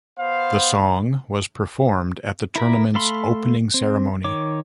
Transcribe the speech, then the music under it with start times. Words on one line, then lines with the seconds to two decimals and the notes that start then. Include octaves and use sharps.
The song was performed at the tournament's opening ceremony.
0.18 B3 C5 F5
2.56 E4 A#4 B5
2.95 A3 A4 F5 B5 C6
3.74 C4
4.24 D#3 C#5 D6